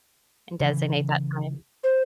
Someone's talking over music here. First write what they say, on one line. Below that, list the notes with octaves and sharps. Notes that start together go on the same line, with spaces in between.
and designate that time.
C#3 E3
C5